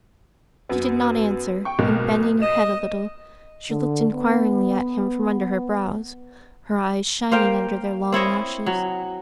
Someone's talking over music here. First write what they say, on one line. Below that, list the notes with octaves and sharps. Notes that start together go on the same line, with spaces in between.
She did not answer, and, bending her head a little, she looked inquiringly at him from under her brows, her eyes shining under their long lashes.
F#2 B3
G5 C#6
B1 G#3 A#3
D#5 E7
D3
B3
A#3 C5 F5 G5
C4 E4 C#5 D#5
F#3